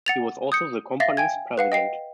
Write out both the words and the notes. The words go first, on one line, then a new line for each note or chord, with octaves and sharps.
He was also the company's president.
F#5 A6 F7
D#6 G6 C#7
E5 F5 A6 A#6
G5 G#5 G#6
B4 F5 F#5
D#5 G5 C7